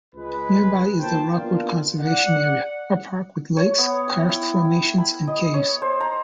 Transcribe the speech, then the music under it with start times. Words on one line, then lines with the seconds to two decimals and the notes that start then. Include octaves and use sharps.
Nearby is the Rockwood Conservation Area, a park with lakes, karst formations and caves.
0.14 C#2 G#3 B4
1.00 B1 A#3 F4 C5 G5 A5
1.34 A#3 B3 D4 F4
2.00 D5 F#5
3.57 C#5
3.78 B3
4.08 G5
4.29 E4
4.65 G5
4.98 B5
5.27 D#5
5.54 C#5
5.82 C5
6.00 A#5